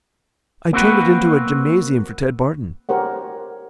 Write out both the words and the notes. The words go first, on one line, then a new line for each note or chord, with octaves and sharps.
I turned it into a gymnasium for Ted Barton.
A#3 C4 F#4 B4
G4 A#4 C5 C#5 F#5